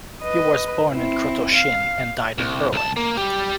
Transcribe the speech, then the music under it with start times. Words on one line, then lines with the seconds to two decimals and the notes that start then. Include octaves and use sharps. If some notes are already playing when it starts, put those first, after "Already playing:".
He was born in Krotoschin and died in Berlin.
0.22 B4 D#5
0.93 C4 E4
1.55 F5
2.38 C2
2.73 C2 A5
2.96 A#3
3.17 G3 G4